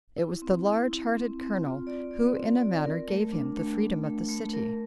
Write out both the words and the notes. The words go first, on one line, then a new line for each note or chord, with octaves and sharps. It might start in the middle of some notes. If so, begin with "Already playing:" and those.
It was the large hearted Colonel who, in a manner, gave him the freedom of the city.
E4
C4
E4
E4
C4
C4
F4
D5
D5
C4
D5
A#4
A3
D4
A3
A3
A3
A3
A#4